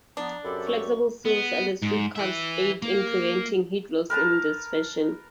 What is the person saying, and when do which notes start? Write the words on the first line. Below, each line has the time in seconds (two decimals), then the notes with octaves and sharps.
Flexible seals at the suit cuffs aid in preventing heat loss in this fashion.
0.17 F3 B3 D4 A#5
0.44 F#2 C4 G4 A4 B5
0.66 C#6
1.25 B3
1.82 G#2
2.15 B4 E5
2.82 A#3
4.10 A#4 B4 A5 A#5